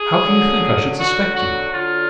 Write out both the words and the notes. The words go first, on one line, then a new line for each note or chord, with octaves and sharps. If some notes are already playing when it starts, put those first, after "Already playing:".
"How can you think I should suspect you?"
Already playing: G#4
D3 F#3
D3 F#3 F#4
F#4
D3 F#3 F4